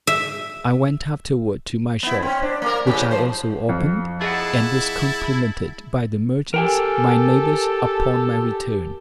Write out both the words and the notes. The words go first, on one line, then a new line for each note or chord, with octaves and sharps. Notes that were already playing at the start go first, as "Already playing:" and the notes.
I went afterwards to my shop, which I also opened; and was complimented by the merchants, my neighbours, upon my return.
E5
B3 E4
C4 C#4
D4
A#3 A#4
A2 C#3 G4
F3 C5
F2
E4 G#4 D#5 F#5 A5
G4 A4 A#4 G5 G#5